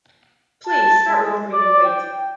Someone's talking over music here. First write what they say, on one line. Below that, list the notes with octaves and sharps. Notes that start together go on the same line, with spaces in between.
Please start recording your weight.
A5
G#3
D5
G5